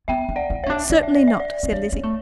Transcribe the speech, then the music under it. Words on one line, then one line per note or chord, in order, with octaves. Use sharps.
"Certainly not," said Lizzie.
B3 E5 G5
D4
D5 F#5
E4
C#4 C#5 E5
D4
D4 D5
E5
D5
E5
D5
C#4
D4 C#5
C#4
A3